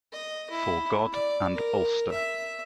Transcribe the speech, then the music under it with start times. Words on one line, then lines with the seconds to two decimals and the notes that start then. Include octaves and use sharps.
For God and Ulster.
0.12 D#5
0.50 E4
1.12 D5
1.54 A#4
2.11 E5